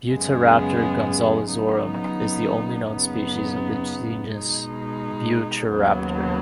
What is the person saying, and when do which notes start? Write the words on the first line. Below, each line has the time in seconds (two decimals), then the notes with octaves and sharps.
"Buitreraptor gonzalezorum" is the only known species of the genus "Buitreraptor".
0.11 F#2 C#3 G#3 B3
1.51 C#3 F#3 B3 D#4
2.92 F#2 C#3 B3 D#4
4.32 B2 G#3 D#4
5.73 D#2 C#3 F#3 B3